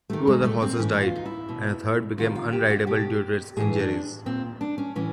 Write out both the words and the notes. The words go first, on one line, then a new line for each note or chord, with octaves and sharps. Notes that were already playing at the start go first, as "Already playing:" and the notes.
Two other horses died, and a third became unrideable due to its injuries.
C3 D#3 A3
G#3
A3
C4
A2 E3 C#4
F4
D#4
E4
B2
C3 D#3 F4
F4
G4
F#4
B2 G4
A2 E3 G#4
D4
A#2 C4
D4
C#4
A2 E3 C#4